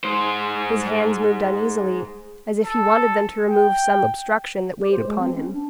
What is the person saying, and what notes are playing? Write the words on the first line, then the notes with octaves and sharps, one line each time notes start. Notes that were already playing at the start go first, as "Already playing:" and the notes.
His hands moved uneasily, as if he wanted them to remove some obstruction that weighed upon him.
G#3 C5
A4
G5
G4
C5
G#3
C4
C#4
D4